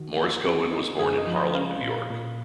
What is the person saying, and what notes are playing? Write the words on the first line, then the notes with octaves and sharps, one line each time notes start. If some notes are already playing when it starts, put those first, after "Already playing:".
Morris Cohen was born in Harlem, New York.
Already playing: D#3 F#4
A#3
C4
D#4
F#2 G#4
D#5
F3
D#5
C#4 F5
A#2
A#2